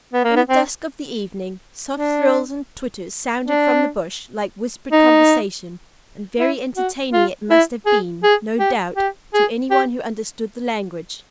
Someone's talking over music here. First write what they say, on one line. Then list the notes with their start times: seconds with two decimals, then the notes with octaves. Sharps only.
In the dusk of the evening, soft thrills and twitters sounded from the bush, like whispered conversation; and very entertaining it must have been, no doubt, to any one who understood the language.
0.13 B3
0.24 A#3
0.36 B3
0.50 C4
1.97 D4
3.44 D4
4.92 D#4
6.39 E4
6.76 F#4
7.13 F4
7.50 E4
7.86 G#4
8.23 G#4
8.59 G4
8.97 G4
9.34 G#4
9.71 G4